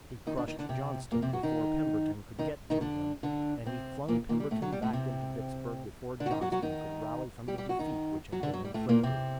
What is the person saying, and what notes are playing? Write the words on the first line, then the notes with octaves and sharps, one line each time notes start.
He crushed Johnston before Pemberton could get to him, and he flung Pemberton back into Vicksburg before Johnston could rally from the defeat which had been inflicted.
D#3 D#4
D3 D4
D#3 D#4
D3 D4
C3 C4
A#2 A#3
C3 C4
F#3 F#4
D#3 D#4
D#3 D#4
D#3 D#4
D3 D4
D3 D4
C3 C4
A#2 A#3
A#2 A#3
G3
A2 A3
F#3
G3
A2 A3
C3 C4
D3 D4
F#4
D#3 D#4
F#3 F#4
F#3 F#4
D#3 D#4
G3 G4
G3 G4
F#3 F#4
D#3 D#4
F#3 F#4
D3 D4
F#3
G3
A2 A3
A#2 A#3
C3 C4